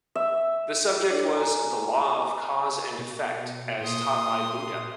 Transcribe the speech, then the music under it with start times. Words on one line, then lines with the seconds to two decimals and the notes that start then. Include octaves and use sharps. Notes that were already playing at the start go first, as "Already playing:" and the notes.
The subject was "The Law of Cause and Effect, as Taught by Buddha".
0.15 E5
1.10 D4 A4 C#5 D5
1.33 D5 G#5 A#5
2.98 B2
3.81 A#2 C6 D#6